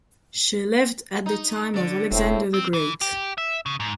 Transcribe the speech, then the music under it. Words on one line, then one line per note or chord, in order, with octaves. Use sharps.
She lived at the time of Alexander the Great.
D#4
D3 D5
E1 A2 C4
C4
E3
G4
E5
C#3
G#2